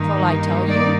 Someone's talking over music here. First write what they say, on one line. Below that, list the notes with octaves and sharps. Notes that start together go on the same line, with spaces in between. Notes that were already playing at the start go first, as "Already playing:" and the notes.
Shall I tell you?
Already playing: G2 D#3 A#3 D#4
D5